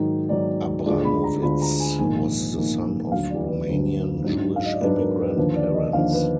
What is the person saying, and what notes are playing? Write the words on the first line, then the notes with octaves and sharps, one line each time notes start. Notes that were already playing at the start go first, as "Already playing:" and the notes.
Abramovitz was the son of Romanian Jewish immigrant parents.
Already playing: G#2 D#3 F#3
G#2 D#3 F#3 D5
D2 D3 G#3 D4 F4 D5
B5
A#5
D2 D3 G#3 D4 F4 B5
A#5
G#5
A#1 G#2 D#3 A#3 D#4 G#5
A#1 G#2 D#3 A#3 D#4
D2 D3 F#3 F5
D5
B4
D2 D3 F#3
G#2 F#3 D4
F5
D#5
D5
G#2 F#3 D4 B4
A#4
B4
D#2 D3 F3 B4
D5
D#5
D#2 D3 F3 F5
B4